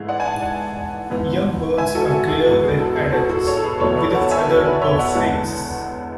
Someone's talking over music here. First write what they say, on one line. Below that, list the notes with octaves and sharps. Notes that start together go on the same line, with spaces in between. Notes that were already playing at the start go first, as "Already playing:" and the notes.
Young birds are greyer than adults, with a feathered buff face.
Already playing: G#2 E3 A3 G#4
D5 F#5
G#5
F#5 A5
F#5 A5
G#2 E3 B3
E5 G#5
F#4 A4
F#4
G#4
E2 B2 G#3 F#4
G#4
F#4 A4
G#4
F#4 A4
F#4 A4
A4 C#5
A4
G#4 B4
E2 B2 F#3 A3 A4 C#5
B4 D5
F#5 A5
A5
E5 G#5
B4 D5
C#5 E5
D5 F#5
E2 D3 G#3 B3 F#5 A5